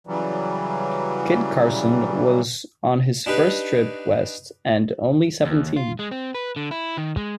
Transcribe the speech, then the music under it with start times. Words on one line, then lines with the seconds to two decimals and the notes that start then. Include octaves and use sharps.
Kit Carson was on his first trip west and only seventeen.
0.07 C#3 E3 F#3 G3
3.26 D4 D#4 G4 B4
5.45 D#2
5.76 F4
5.99 G#3
6.11 C4
6.35 B4
6.56 D3
6.71 E4
6.98 D#3
7.17 G#3